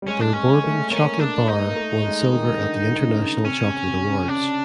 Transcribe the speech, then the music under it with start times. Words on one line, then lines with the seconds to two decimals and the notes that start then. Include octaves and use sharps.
Their bourbon chocolate bar won silver at The International Chocolate Awards.
0.02 G3
0.08 G#3 C#4
0.21 D4
0.34 G#3 C#4
0.64 A3
0.91 A#3 C#4
1.19 D4
1.48 D#4
1.70 A#3
1.76 A3
2.05 G#3
2.32 D#3
2.60 D3
3.02 C#3
3.45 C3 C#4
3.66 C#3
3.87 C3
4.08 C#3
4.29 C#3 D4